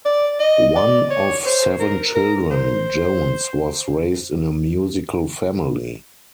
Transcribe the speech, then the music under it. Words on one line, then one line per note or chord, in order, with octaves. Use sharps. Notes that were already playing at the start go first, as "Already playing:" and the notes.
One of seven children, Jones was raised in a musical family.
D5
D#5
D5
C#5
C5
A#4
A#4
C5